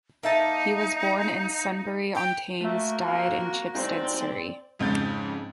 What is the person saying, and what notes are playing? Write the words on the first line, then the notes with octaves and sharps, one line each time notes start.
He was born in Sunbury-on-Thames; died in Chipstead, Surrey.
A#3 D#4 E5 A5
G5
A3 A#3 F#4 E5
F2 F5
G2 C3 C4 D#4 D5
F2 G#2 C#3 G6 A6